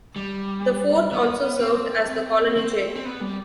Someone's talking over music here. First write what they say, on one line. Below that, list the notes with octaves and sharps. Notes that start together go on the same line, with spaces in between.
The fort also served as the colony jail.
G3
B3
C4
B3
C4
C4
B3
G3